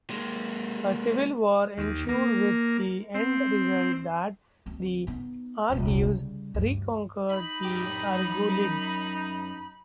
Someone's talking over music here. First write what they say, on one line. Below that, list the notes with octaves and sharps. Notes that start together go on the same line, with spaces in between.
A civil war ensued, with the end result that the Argives re-conquered the Argolid.
G#3 A#3
D#2
A#3
C4
D2 C4
B3 D#4
D#1 C2
C#3 G3
D2 G2
D#4 B5
F#2 G4
F#2